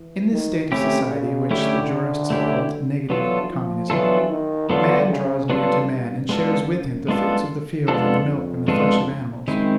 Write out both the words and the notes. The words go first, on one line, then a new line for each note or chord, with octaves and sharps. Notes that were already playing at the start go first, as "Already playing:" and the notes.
In this state of society,--which the jurists have called NEGATIVE COMMUNISM--man draws near to man, and shares with him the fruits of the field and the milk and flesh of animals.
Already playing: E3
D#3
C3 A3 C#4 E4 G4
C#3
D3 A3 C#4 E4 G4
A3 C#4 E4 G4
E3 F#3 B3 D4 F4 A4
F3
E3 F#3 B3 D4 F4 A4
D#3
D3 F#3 B3 D4 F4 A4
C#3
G2 F#3 B3 D4 F4 A4
G2
F#2 G#3 B3 D4 F4 A4
G#3 B3 D4 F4 A4
F2 G#3 B3 D4 F4 A4
G#3 B3 D4 F4 A4
F#2 D#3 G#3 C4 E4